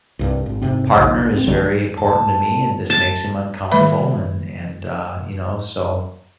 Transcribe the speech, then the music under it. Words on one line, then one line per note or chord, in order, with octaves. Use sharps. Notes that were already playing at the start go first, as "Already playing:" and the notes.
partner is very important to me, and this makes him uncomfortable," and and, uh, you know, "So
C2 G2
G#1
E1 G#2 C3 C4
A#1 D#2 C#3 F#3
B3 C4
A#1 D3 F#3 G#3
A5
A5
D#3 G3 A3 B4 E5 B5